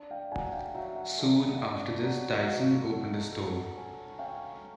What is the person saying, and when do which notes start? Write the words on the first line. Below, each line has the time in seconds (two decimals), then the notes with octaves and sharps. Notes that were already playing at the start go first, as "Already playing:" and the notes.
Soon after this, Tyson opened a store.
Already playing: D4
0.11 F5 G5
0.31 F#3 F#5 G#5
0.52 F5 G5
0.74 F#3 E5 F#5
0.95 E5 F#5
1.07 F5
1.17 A3 D5 E5
1.39 F5
1.48 F#5
1.57 D4 D#5 F5
2.03 F#3
2.46 F#3 D#5 F5
2.90 A3
3.32 A4
3.76 C#4
4.19 C#4 F5 G5